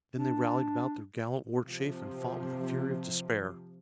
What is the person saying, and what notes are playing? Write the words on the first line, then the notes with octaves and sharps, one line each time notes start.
Then they rallied about their gallant war-chief and fought with the fury of despair.
D4
C3 F3